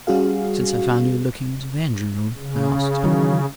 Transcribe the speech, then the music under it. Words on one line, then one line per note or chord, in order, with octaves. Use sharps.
"Since I found you looking into the engine-room?" I asked.
G3 C#4 F#4 G#4 F5
C#3
D#3 E3 F#3